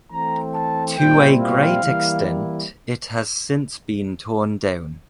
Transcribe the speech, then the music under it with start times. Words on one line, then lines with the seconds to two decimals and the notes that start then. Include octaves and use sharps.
To a great extent, it has since been torn down.
0.10 E3 A3 C4 A#5
0.53 A5
0.96 A#2 G3 C4 E4 G5
1.40 F5
1.83 E3 G3 A#3 E4